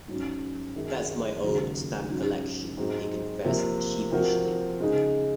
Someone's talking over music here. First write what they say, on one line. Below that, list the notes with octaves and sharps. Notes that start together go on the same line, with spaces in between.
"That's my old stamp collection," he confessed sheepishly.
G#2 F#3 C#4
F#2 D#3 G#3 D#4
D#2 C#3 F#3
G#2 F#3 C#4
G#2 F#3 C4 D#4 G#4
C3 F3 A#3
C3 F3 C4 F#4 A#4
C#3 G#3 D#4 G#4